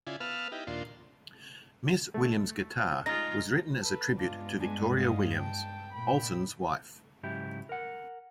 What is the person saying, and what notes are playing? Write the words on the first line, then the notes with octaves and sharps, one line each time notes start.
"Miss Williams' Guitar" was written as a tribute to Victoria Williams, Olson's wife.
C#3 E4 F4 D5 G#5
B3 B4 F5 A5 E6 F6
D#4 E4 G4
D#2 A#2 D4 F4 C6
A3
G#3 D#4 F4 A#6
A4 B4
G2 G#3 B3 D4 F4
D4 G#5
D#5 F5
G5 A5
A#2 G5 B5
G#2 C#3 F#3 E4 G4
A#4 F#5